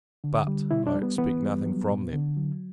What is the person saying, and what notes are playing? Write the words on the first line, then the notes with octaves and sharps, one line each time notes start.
But, I expect nothing from them.
D3
G3
B2 E4
D4
G3
B3
E3 B3
G3
F#3
A#2
D3
F#3